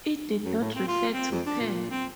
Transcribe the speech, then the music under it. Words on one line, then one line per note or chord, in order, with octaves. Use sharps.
It did not refer to par.
F#2
A2
C4
F4
C4
F2
D4
A#2
C4